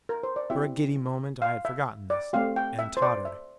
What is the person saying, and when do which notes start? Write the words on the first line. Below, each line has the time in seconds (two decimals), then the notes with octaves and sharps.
For a giddy moment I had forgotten this, and tottered.
0.09 A#4
0.23 C5
0.36 D5
0.50 C4 E4 G4 E5
1.42 F5
1.65 E5
2.10 D5
2.33 A3 C4 G4 F5
2.56 G5
2.79 E5
2.97 C5
3.02 D5
3.25 E5